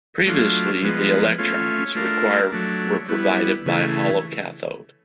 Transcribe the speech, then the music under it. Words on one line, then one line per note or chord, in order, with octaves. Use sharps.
Previously the electrons required were provided by a hollow cathode.
F#3 A3 D4 F4
F3 G#3 B3
A3 C#4 F4
A3 D4 F4 A#4
F#3 A3 D4
G3 B3 E4
C#3 E3 A3